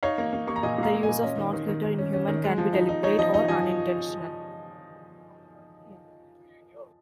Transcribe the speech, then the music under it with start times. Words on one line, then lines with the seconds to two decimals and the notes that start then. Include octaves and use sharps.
The use of non sequitur in humor can be deliberate or unintentional.
0.03 D#4 C#5 F5
0.18 A#3
0.33 A#3
0.47 A#3 C#6
0.56 A#5
0.63 A#2 D#5 G#5
0.78 A#2 F5 A#5
0.93 A#3
1.03 D#5 G#5
1.08 A#2
1.23 C#4 D#5
1.38 D#3
1.53 D#3
1.68 D#3
1.83 D#3
1.98 C#4
2.13 C#4
2.28 D#3
2.44 G#3
2.58 F3
2.73 D#4
2.89 D#4
3.03 D#4 C#5
3.19 F3 D#5
3.34 D#4 D#5
3.48 F3 D#5 G#5